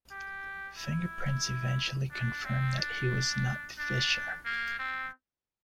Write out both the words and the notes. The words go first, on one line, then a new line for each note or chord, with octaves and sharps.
Fingerprints eventually confirmed that he was not Fisher.
G4
E4
D4
C4
D4
D4
A#3
C4